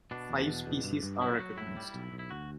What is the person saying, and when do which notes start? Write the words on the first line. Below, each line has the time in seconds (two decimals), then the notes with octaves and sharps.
Five species are recognized.
0.11 B2 D4
0.29 E2
0.48 B2
0.66 E2
0.84 G2
1.03 G2
1.21 F#3 E4
1.39 F#3 F#4
1.57 A2 E4
1.77 G3
1.94 B1
2.12 B1
2.19 E4
2.30 D2 F#4